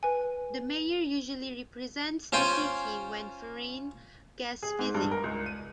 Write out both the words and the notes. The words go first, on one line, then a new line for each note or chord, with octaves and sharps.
The mayor usually represents the city when foreign guests visit.
B4 G#5
C#4 F4 C5 G5 G#5
G#4
G#2
G2
A#4
C#2
D#7